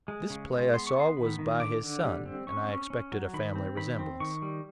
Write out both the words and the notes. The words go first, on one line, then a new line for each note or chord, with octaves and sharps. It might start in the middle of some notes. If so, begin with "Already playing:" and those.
This play, I saw, was by his son, and I expected a family resemblance.
G#3
C#3
G#3
B3 C6
C#6
B3 C6
D#3 B5
D#3
D3 D6
D3
G3
C4
C#4 C#6
C#4
C#4
F#3
D#3 B5
C4
D#3 B5
C4
D#3 C#6
G3